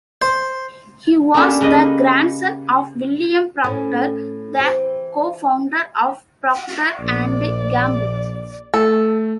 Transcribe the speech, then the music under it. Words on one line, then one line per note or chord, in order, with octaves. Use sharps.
He was the grandson of William Procter, the co-founder of Procter and Gamble.
C5
A#3 B3 C#4 D4 G4 A4
C#3 A#3 B4 D#5
A2 C#4
E3 C4 G4
A#1 D5
A3 A4